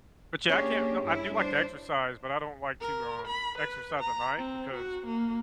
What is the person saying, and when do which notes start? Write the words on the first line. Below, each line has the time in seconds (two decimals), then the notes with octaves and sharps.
But yeah, I can't no, I do like to exercise, but I don't like to, um, exercise at night because
0.49 A#3 C#4 D4 G4 G#4
1.02 G2 E4
1.35 D4 C5
2.81 A#4
3.28 B5
3.58 B4
4.01 A#5
4.37 C4
4.74 F#4
5.06 A#3